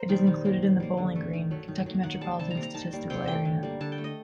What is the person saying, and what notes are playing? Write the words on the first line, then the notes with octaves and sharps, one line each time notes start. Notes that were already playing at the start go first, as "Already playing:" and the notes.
It is included in the Bowling Green, Kentucky Metropolitan Statistical Area.
Already playing: A#4 C5
D#3 G3 A#3
D#3
F#3 A#3
D#3
G3 A#3
D3
A3
D#3
F#3 A3
D#3
F#3 A#3
D#3 F#5
G3 A#3 A5
C3 A5
A#5
G3 A#3
A#5
D#3 A5
G3 A#3
C3 G5
F#3 A3 G5
D3
G3 A#3
D3 A5
G5
A3
D#5